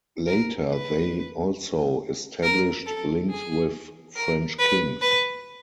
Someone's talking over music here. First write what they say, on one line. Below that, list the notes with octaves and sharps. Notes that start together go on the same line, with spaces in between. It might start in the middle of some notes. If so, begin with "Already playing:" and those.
Later they also established links with French kings.
A#4
B4
A#4
A4
G#4
A#4
B4
B4